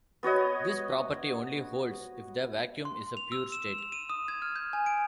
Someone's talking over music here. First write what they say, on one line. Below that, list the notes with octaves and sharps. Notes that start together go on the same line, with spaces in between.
This property only holds if the vacuum is a pure state.
B3 F#4 C#5 D#5
C6
F7
E6
E7
F7
D#7
D#6
G#6
F6
G6
G#5
D7